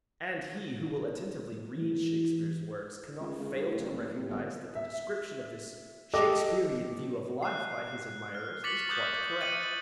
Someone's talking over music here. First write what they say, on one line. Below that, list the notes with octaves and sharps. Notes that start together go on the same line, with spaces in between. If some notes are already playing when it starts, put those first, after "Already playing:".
And he who will attentively read Shakespeare's works can not fail to recognize that the description of this Shakespearian view of life by his admirers is quite correct.
E3
C#2
C#3
G2
A2
F#1
F#1
C3
G1
E5
G4 A4 D#5 D6
F#6 C7
F6
C#6 D6 A6 B6 C#7 F#7
D6 D#6 F#6 G6 A6 B6
A6 C#7 D#7 F#7